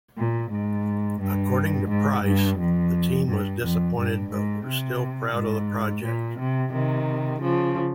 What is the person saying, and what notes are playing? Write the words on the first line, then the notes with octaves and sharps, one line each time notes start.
According to Price, the team was disappointed but were still proud of the project.
A#2
G#2
G2
G#2
G2
F2
G2
F2
G2
G#2
C3
G#2
A#2
C3
C3 D#3
C#3 F3